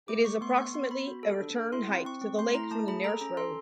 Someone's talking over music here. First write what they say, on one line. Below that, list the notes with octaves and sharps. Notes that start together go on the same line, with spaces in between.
It is approximately a return hike to the lake from the nearest road.
A3 D6
A3 C#6
B3 C6
B3 C#6
B3 C6
B3 B5
F#4
A4
D4
A4
E4 C6
C4
C4 C#6
C4
A3 C6
E4 A#5
A3 A5
G#4 B5
A4 A#5
C#4 A#5
A4 C6